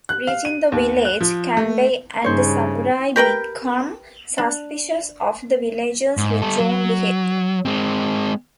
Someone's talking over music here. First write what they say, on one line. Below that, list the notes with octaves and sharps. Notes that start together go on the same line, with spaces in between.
Reaching the village, Kanbei and the samurai become suspicious of the villagers withdrawn behavior.
F#6
F5
D#7
D#2
F#6
F3
A3
G2 C#3 D#4 C5 C#5
G4 A#4 B4 G5
D4
G#2
G3 A4
F#3
G#3 C4